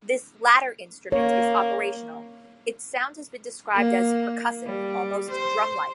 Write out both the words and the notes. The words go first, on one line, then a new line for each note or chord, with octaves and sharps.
This latter instrument is operational; its sound has been described as "percussive, almost drum-like".
A#3 C#5
A#3
G3
C5